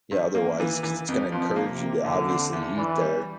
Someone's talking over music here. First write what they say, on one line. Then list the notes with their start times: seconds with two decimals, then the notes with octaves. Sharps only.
Yeah, otherwise, 'cause it's gonna encourage you to obviously eat there,
0.11 G2
0.35 A#3
0.60 E3
0.83 E3
1.08 F2
1.32 F2 F3
1.56 A#3
1.69 C3
1.81 A#3
2.04 E2 D3
2.29 C4
2.53 E2
2.77 E3 D4
3.02 G3